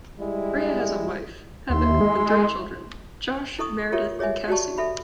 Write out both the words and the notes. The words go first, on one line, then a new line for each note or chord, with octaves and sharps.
Rea has a wife, Heather, and three children: Josh, Meredith, and Cassie.
G3 G#3 E4
D#2 E4 E5 C6
G#3
E4 A4 D#5 C#6 D#6
F4 G4 A4 A#4 C#5 E5
G#4 C#5 D#5 E5 G#5
F#4 G4 D5 D#5 A5 C#6
A4 E5 B5